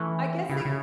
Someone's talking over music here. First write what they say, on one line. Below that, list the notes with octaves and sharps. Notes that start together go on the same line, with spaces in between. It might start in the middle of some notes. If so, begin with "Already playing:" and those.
I guess it
Already playing: E3 A3 C#4
C#3 E4
E4
C#3